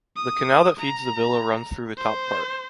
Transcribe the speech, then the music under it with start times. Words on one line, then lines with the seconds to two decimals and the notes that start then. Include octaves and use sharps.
The canal that feeds the villa runs through the top part.
0.17 D#6
0.80 A#5
1.98 C5